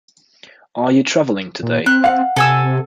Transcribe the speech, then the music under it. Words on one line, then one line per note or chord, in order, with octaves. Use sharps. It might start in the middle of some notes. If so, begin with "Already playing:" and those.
Are you travelling today?
A#2
C4 F#6
F5 F#5
C3 A4 G#5 E6